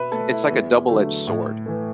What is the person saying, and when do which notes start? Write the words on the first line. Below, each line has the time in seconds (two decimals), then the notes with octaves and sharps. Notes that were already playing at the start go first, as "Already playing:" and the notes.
it's like a double-edged sword,
Already playing: B2 B4 E5
0.12 A3 A4
0.31 E4
0.51 E2
0.89 D3 F#3 A3
1.27 A2
1.66 E3 A3